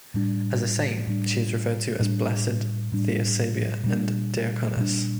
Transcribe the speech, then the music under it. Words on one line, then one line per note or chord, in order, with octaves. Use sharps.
As a saint she is referred to as Blessed Theosebia the Deaconess.
A2 G3 D4
A2 G3 D4
A2 G3 D4
A2 G3 D4
A#2 G3 D4
A#2 G3 D4